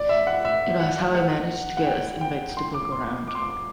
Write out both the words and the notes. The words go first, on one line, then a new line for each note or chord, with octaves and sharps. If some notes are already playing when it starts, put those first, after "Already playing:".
It was how I managed to get us invites to poke around.
Already playing: D5
E5
F#5
E5
F#5
F#5
F#5
G5
G5
C6
D6
C6
D6
C6
D6